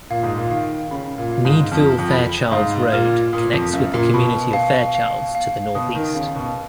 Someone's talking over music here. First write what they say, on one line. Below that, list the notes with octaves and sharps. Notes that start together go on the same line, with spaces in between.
Needville-Fairchilds Road connects with the community of Fairchilds to the northeast.
A#2 F5
G#2
A#2
D#3 F5
C#3 B5
A#2
F5
G#2
F2 F6
F2
B5
G#2 F5
A#2 F6
A#2 D#6
F2
F#2 F5
A#2
B2 B5
F5
F5
F5
B2 D#6
D#3
C#3 F5
B2